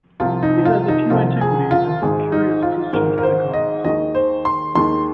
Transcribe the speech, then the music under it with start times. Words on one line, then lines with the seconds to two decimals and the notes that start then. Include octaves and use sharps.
It has a few antiquities and some curious Christian catacombs.
0.20 C2 C3 F3 F4
0.43 D#4
0.65 F4
0.88 D#4
1.10 C2 C3 F3 F4
1.41 G#4
1.71 F4
2.02 G#1 G#2 G#3 G#4
2.32 D#4
2.63 F4
2.93 G#1 G#2 G#3 A#4
3.18 A#4
3.23 C5
3.54 D#5
3.85 D#2 D#3 G#3 D#5
4.15 C5
4.45 C6
4.75 D#2 D#3 G#3 C6